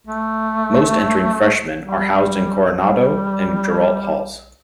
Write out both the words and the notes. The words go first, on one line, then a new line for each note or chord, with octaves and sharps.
Most entering freshmen are housed in Coronado and Girault Halls.
A3
G3
G3